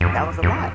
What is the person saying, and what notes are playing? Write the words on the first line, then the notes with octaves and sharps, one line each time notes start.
That was a lot,
F2
F2